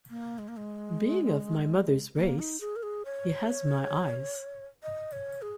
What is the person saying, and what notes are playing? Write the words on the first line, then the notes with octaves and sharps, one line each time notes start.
Being of my mother's race, he has my eyes.
A#3
G#3
A#3
G#3
A#3
D#4
G#4
A#4
G#4
C#5
D#5
C#5
G#4